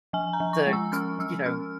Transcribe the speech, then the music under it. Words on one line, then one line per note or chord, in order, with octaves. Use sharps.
the c you know,
F3 G#5
A#5
F3
C#6
G#3
E6
C#4 F6
F3 E6
C#4 F6